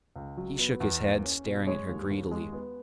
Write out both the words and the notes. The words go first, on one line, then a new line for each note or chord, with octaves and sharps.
He shook his head, staring at her greedily.
C#2
F#3
B3
E2
A#3
C#4
B2
G#3 C#5
D#2
D#2
G#3
B3